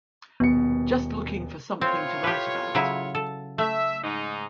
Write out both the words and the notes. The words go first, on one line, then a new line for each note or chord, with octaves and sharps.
Just looking for something to write about.
D#1 B2 B3 C#7
A2 C4 F4 C#5
G4 B4
C#3 F#3 E4
A4
A3 E5
G#2 D#4